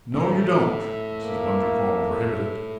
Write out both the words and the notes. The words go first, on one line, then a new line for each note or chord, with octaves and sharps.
"No, you don't!" Mrs. Bundercombe prohibited.
A2 E5
A#3